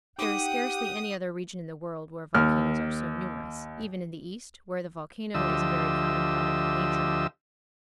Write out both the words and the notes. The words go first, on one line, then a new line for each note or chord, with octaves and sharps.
There is scarcely any other region in the world where volcanoes are so numerous, even in the East, where the volcano is a very common product of nature.
D#4 G4 F#5 G5 D#6
D#2 F6
D2 F3 G4 D#5 E5 E6